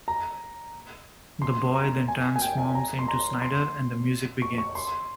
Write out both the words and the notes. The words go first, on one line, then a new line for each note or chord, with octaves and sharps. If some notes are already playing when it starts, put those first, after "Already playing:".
The boy then transforms into Snider and the music begins.
A#5
C6
A#5
G#5
G#5
G5
G#5
A#5
C6
A#5
C6
C#6
C#6
C6